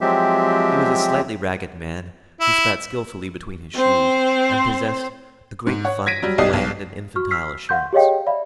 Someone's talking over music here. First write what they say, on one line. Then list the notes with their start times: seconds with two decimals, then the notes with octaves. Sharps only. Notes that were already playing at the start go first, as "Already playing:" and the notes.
He was a slightly ragged man, who spat skillfully between his shoes and possessed a great fund of bland and infantile assurance.
0.01 F3 F#3 G#3 C4 G4 E5
2.40 E4
3.75 C4 C5
5.67 G#2
5.85 C#5 F#5
6.06 G#6 A#6 B6 D7 D#7
6.22 F#3 G3
6.38 B1 G4 D5 D#5 C7
6.53 B1
7.16 F#4 C#6 F6
7.31 E6 F6 B6 C7
7.69 F5 F#5 C6 C#6 G6
7.93 G4 G#4 C#5 D#5 F5 G5
8.27 D5 E5 F5 B5